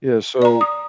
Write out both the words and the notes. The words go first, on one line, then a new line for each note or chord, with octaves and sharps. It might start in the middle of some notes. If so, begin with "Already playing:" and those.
Yeah, so
D5 A#5
D#6